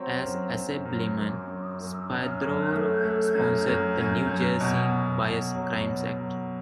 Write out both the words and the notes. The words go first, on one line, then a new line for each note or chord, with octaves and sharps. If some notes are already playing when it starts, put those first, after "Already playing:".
As Assemblyman, Spadoro sponsored the New Jersey Bias Crimes Act.
Already playing: F#3 C4
F#2
F#2
F#2
F#2
F#2
F#2
F#2
F#2
A3
A3
F#2
F#2
F#2
F#2
B2
B2
B2
F#3
B2
F#3